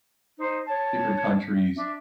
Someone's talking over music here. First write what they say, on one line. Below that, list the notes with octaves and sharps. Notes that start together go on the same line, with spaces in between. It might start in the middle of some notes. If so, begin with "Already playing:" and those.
different countries,
D#4 C5
C#5 A5
D4 E5